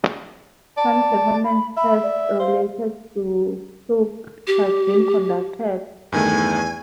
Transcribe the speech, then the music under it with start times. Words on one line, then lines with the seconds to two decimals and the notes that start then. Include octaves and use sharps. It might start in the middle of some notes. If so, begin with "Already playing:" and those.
Some performance tests related to cloop have been conducted.
0.77 D5 A5
1.44 B5
1.77 E5 B5
2.03 D5
2.39 C5 F5
4.47 G4
6.12 E2 G2 D#3 A3 G#5